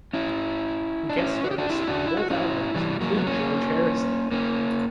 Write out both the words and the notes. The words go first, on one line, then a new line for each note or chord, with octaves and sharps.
Guest artists on both albums included George Harrison.
C#4 E4
D4
C#4 E4
F#4
G4
D4 F#4
E4 G4
D4 F#4
E4
F#4
C#4 E4
E3 G3
F#3 A#3
B3
A#3 C#4
A#3 C#4